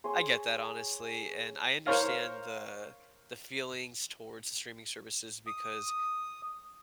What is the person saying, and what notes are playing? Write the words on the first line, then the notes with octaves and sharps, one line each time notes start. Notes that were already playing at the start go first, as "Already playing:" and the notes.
I get that honestly, and I understand the the feelings towards streaming services because
G#4 C#5 C6
A#4 C5 C#5 F5
D#6